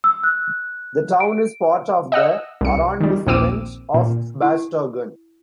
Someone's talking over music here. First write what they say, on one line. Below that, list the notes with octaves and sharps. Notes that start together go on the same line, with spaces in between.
The town is part of the Arrondissement of Bastogne.
E6
F#6
D7
D#5 F#5 E6
C2 C#7
D#3 G3
A#1 D#2 C4 D6 E6 D#7
A#2
E4